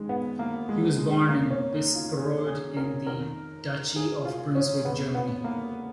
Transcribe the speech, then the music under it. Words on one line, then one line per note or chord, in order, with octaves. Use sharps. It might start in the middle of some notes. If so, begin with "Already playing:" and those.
He was born in Bisperode in the Duchy of Brunswick, Germany.
Already playing: F#2 D#3 G#3
B3
A#3
G#3
G#3
F2 C#3 A#3
C#4
D#4
F4
G#4
G#4
A#4
F2 D#3 A#4
G#4
F4
C#4
F2 C#3 B3
B3
A#3